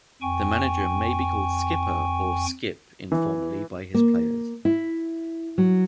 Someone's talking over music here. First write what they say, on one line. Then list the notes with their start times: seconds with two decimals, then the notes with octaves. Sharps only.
The manager may be called "skipper" or "skip" informally by his players.
0.22 F2 G5 G#5 C#6
3.12 E3
3.94 A#3
4.65 E4
5.58 F#3